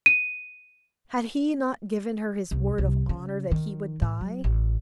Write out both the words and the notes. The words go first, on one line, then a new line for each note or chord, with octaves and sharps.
Had he not given her his word of honor that he would die?
D#7
C2
C2
C#3
D#3
A2
F#3
A1